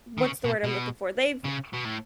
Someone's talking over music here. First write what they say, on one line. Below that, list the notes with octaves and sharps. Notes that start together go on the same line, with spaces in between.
what's the word I'm looking for they've
D#3
C#3
B2
B2
C#3
B2
A2